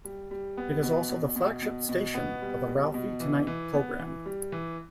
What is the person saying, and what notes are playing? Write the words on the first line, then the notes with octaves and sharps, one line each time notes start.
It is also the flagship station of the "Ralphie Tonight" program.
G3
G3
B3
B2
B2
B2
B2
B2
B3
G3
B2
B2
E3
E3
B3
E3
G3
E3